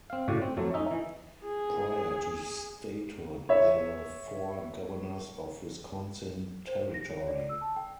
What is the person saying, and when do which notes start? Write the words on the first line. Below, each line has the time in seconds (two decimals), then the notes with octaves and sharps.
Prior to statehood, there were four Governors of Wisconsin Territory.
0.10 C4 F5
0.28 A2 C#3 F#4 D5
0.42 C4
0.57 F2 F#3 A3
0.74 C#4 D#4 E5
0.91 E3
1.45 G#4
3.49 C#5 E5
6.67 C5
6.94 A#6
7.10 C#5
7.28 D5
7.49 E6
7.61 A5
7.76 G5